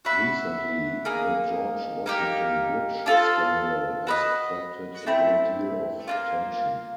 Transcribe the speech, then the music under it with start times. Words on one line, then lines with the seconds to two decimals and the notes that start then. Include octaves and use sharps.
Recently, the George Washington Bridge scandal has attracted a great deal of attention.
0.05 F#4 B4 E5
1.05 A#3 D#4 G#4
2.06 A#3 D#4 G4 A#4
3.06 D4 F4 A4 C5
4.07 F#4 B4 D#5
5.06 A3 C4 E4
6.07 A#3 D4 F4